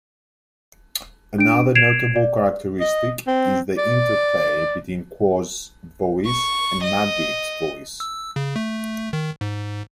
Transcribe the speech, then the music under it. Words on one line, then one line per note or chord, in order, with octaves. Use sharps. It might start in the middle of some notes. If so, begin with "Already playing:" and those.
Another notable characteristic is the interplay between Quas' voice and Madlib's voice.
D4 D7
G#6 C7 D7 E7 F7
D5
D#5
C4
D5
C#6
D#5
E6
C#3
A3
D#3
G#2